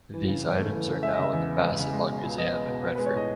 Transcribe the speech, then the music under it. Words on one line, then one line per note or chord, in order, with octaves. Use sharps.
These items are now in the Bassetlaw Museum in Retford.
E3
C#3
E2
A3
E3
C#3
G#3 E5
D#5
C#3 E5
E2
B3
G#3
C#3
G#3
B2
C#2
B3 D#5
G#3
B2
B3
G#3 B4
C#5
A2 D#5